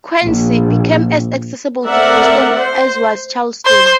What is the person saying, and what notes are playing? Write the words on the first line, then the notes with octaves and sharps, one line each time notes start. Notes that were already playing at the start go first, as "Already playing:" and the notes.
Quincy became as accessible to Boston as was Charlestown.
A#1
A3 C4 A#4 D5 E5 F#5
C5
C5